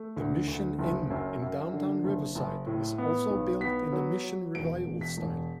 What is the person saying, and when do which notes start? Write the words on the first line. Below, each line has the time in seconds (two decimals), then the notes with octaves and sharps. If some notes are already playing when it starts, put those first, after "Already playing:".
The Mission Inn in downtown Riverside is also built in the Mission Revival style.
Already playing: A3
0.17 D2
0.48 D2
0.79 F#1
1.10 F#2
1.42 F#2
1.73 D3
2.04 F#1
2.35 F#1
2.67 A2
2.98 B3
3.30 B1
3.61 B3 B6
3.92 F#3
4.24 F#3
4.55 E1 D7
4.86 E1
5.01 B6
5.17 E1